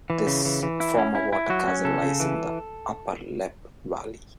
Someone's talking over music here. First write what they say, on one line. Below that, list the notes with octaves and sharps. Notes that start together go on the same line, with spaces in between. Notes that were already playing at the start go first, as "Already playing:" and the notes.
This former water castle lies in the upper Leppe valley.
E3
C#3
E3
E3
E4
C#4
E4
E4
F#3 F#4
C#4
C#3 A4
C#3
E3